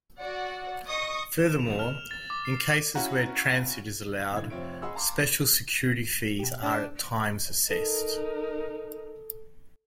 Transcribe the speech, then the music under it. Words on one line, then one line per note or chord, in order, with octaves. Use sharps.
Furthermore, in cases where transit is allowed, special "security fees" are at times assessed.
F#4 D5 F#5
D#5 C#6 D#6
E7
F7
F6
A6
D6
C7
C#4 E4 F#4 F5 F#5 A#5
G2 D3 E4 G#6
F1 C4 F4 C#5 E5 D7
G#4 D#5 F#5 B5 C6 E6
F5 A5 A#5 C6 D6
G7
A#6
B2 G4
D4
D#4 A4 A#4